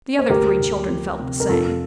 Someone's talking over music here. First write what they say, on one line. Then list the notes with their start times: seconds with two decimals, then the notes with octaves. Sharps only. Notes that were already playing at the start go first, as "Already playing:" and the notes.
The other three children felt the same.
0.19 C5
0.30 D2 G4 A#4
0.59 D2
0.89 F3
1.19 C3
1.40 A#4
1.49 F2 F4 A4